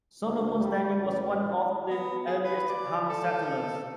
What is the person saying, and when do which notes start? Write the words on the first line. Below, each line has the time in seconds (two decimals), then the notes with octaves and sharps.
Salomon Stanley was one of the earliest town settlers.
0.25 D2
0.60 G3
1.04 A1
1.91 B3
2.27 G#4
2.45 B4
2.69 D5
3.10 A4